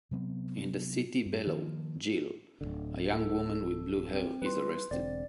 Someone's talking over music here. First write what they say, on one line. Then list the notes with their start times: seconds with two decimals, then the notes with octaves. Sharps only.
In the city below, Jill, a young woman with blue hair is arrested.
0.11 C3 F#3 B3 C4
1.26 G2
1.47 D#3 F3 A#3
2.61 D1 B1 D3
3.13 A4
4.13 C4
4.42 G3 B4 C6
4.91 E1 D3 C4 D5